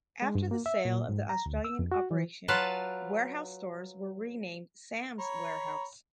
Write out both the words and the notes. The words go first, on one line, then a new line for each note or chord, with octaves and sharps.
After the sale of the Australian operation, Warehouse stores were renamed Sam's Warehouse.
G#3
G2
A#3
E5
A#2
G#2
A#5
D2
E6
F2
F#4
E3
F#3 F4 B4 F5 A5
C#5 A#5 B5